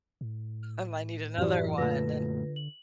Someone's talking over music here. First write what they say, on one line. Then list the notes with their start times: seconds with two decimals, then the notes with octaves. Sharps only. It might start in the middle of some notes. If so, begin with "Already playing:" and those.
I might need another one then."
0.21 A2
1.38 F#2 E3 F#4 G4 D5
1.78 F#2 A#2 D3 A3 F4 B4 A#6
2.56 F#7